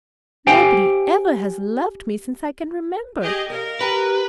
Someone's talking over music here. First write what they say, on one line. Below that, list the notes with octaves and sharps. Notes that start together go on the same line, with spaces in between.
Nobody ever has loved me since I can remember.
G4 C5 F5 G5 G#5
G4 G#4 D#5
A#4 D#5 F5
G4 B4 A#5